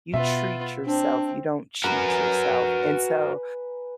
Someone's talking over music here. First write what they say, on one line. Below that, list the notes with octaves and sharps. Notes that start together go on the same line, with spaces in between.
you treat yourself, you don't cheat yourself, and so
B2 B3 F4 E5
C4 D4
F#4 A#4 B4 G#5 A#5